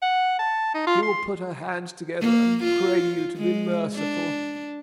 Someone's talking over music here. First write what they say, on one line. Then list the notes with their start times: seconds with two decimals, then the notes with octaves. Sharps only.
She will put her hands together and pray you to be merciful.
0.03 F#5
0.39 A5
0.74 D#4
0.87 F4
1.03 C6
2.21 A#3
2.64 F4
3.36 G#3
3.95 D4